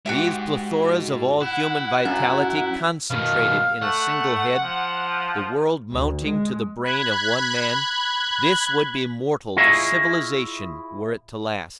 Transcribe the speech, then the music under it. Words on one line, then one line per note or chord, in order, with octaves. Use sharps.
These plethoras of all human vitality concentrated in a single head; the world mounting to the brain of one man,--this would be mortal to civilization were it to last.
G#2 F#4 G4 E5
E4 F#5
F#2 F4
B2 D#3 F5
A3 F#5
F3
D2
G#3
B5 F#6 G#6
E4 F4 G#4 C#5 D#5 E5